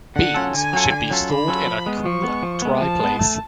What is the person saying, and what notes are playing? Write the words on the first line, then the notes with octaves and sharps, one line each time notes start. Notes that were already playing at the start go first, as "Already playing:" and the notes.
Beans should be stored in a cool, dry place.
D3 F#5
F#3 C#4 F4 A4
D3 G#5
F#3 C#4 F4 A4
D3
F#3 C#4 F4 A4
D3 B5
F#3 C#4 F4 A4
F3
G#3 B3
F3 C#6
G#3 B3
F3
G#3 B3
F3 A5
G#3 B3
A3